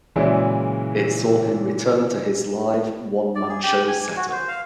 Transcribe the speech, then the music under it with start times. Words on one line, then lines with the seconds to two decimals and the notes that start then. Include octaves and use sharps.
It saw him return to his live one-man show set up.
0.16 A#2 C#3 E3 F#3 G#3 E4
3.35 D5
3.49 G#4
3.62 G4
3.88 G#5
4.03 G#5
4.17 F#4
4.32 C5
4.48 F5